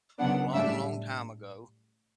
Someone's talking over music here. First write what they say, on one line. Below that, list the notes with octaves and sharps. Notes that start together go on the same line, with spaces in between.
a long, long time ago,
C#3 F#3 B3 D4 F#5
A2 G3 D4 E5